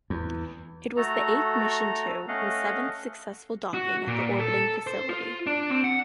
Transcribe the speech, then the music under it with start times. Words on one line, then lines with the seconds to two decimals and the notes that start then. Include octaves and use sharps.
It was the eighth mission to and seventh successful docking at the orbiting facility.
0.10 E2
0.97 A3 F#4 A4 A#5
2.28 A3 C#4 D#5 F5 F#5
3.74 F#4
4.07 A#2
4.39 A4
4.87 C5
5.09 F4
5.47 D4
5.70 C4
5.84 F#5